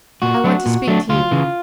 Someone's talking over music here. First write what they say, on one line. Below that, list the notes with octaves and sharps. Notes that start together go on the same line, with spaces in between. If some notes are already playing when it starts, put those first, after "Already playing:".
I want to speak to you.
A#2 F#4
F#3 A3 D4
A#2
F#3 A3 D4
D2 F4
C#3 E3